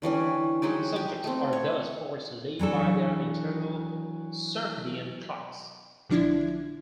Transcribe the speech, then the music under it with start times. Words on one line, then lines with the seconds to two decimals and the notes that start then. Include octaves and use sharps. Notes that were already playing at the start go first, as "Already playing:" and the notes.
Subjects are thus forced to live by their internal circadian "clocks".
0.02 D3 E3 G3 C#4
0.62 F#3 G#3 D#4 G4
0.96 G4
1.24 A3 C4
1.53 C#5
2.59 E3 F#3 D4 A4
6.09 A#1 D3 F3 D4 E4 G#6